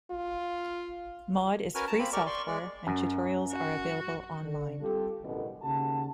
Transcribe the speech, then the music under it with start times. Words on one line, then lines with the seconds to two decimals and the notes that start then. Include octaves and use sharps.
Maude is free software, and tutorials are available online.
0.11 F4
1.75 C#4 F#4 A#4 B4 G#5 F6
1.87 A5 A#5
1.99 A#3 C4 B5
2.13 G4 A#4 D5 C#6
2.26 D5 C6 C#6
2.47 G#3 D5
2.87 F#2
3.52 F#4
4.42 D3
4.80 G3 C4 F4 G4 A4
5.23 A1 F#2 B2 D3
5.62 D#2 C#3 F#4 G4 A5